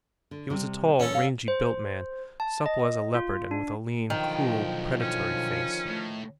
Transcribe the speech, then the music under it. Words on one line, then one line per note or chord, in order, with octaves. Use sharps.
He was a tall, rangy-built man, supple as a leopard and with a lean, cruel, predatory face.
D3
C3 G3
E3 C#4 A4
C#5 F5
C5
A5
D#5
F4
D4
B1 D3 D#3 F3 G5
C#4
A2